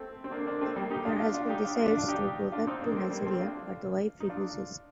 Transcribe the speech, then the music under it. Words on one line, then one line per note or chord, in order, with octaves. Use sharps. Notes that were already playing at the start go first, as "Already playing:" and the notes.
Her husband decides to go back to Nigeria but the wife refuses.
Already playing: A3 C4
C4
A#3 D4
A#3 D4
A3 C4
G3 A#3
D#4 G4
D4 F4
D4 F4
D4 F4
D#4 G4
D4 F4
D4 F4
D4 F4
D4 F4
D#4 G4
D4 F4
C4 D#4
A#3 D4
A3 C4
G3 A#3
A3 C4
D4 F4
D#4
D4 F4